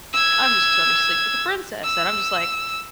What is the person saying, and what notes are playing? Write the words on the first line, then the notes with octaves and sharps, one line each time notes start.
"I'm just gonna sleep with the princess," and I'm just like,
E6 G#6
E6